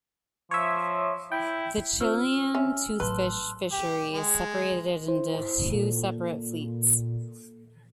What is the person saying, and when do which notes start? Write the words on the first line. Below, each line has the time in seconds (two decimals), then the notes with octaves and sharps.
The Chilean toothfish fishery is separated into two separate fleets.
0.51 F3 C#5 E5
1.32 E4 G5
2.01 C4 F4 C5 E6 F6
2.55 C#4 E5
3.00 A1 F#3 B4 A5 C6 F#6
3.72 G4
4.13 G#3
5.08 E4 C5
5.74 A#2 A#3 A4